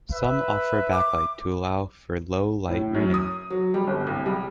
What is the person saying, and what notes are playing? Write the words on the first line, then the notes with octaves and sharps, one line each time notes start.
Some offer a backlight to allow for low-light reading.
B4 E5
D6
A2
F#2
D#6
F#3
G3
G1
C2
G3